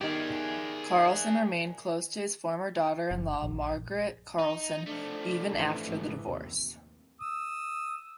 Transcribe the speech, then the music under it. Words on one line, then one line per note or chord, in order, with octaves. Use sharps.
Carlson remained close to his former daughter-in-law Margaret Carlson even after the divorce.
D#3 G4 G#4 D5
F#1
A#1
D#4
F3 A3 D4
A1 E3
G#2 E3
D#2 C3
D#6 E6